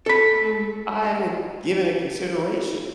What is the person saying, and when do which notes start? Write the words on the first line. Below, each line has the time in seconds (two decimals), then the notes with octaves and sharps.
Mm, I haven't given it consideration,
0.06 A4 B5